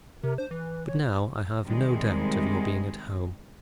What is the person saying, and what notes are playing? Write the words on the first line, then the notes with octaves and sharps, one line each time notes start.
But now I have no doubt of your being at home.
C3 A#4
D4 C5
E3 B4
C#5
C3 D#3 G3 G#3